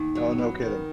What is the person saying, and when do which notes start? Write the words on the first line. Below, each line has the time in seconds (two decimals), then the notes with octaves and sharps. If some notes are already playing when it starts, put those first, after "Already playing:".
Oh, no kidding.
Already playing: D#2
0.15 F#3
0.39 B3
0.62 D#3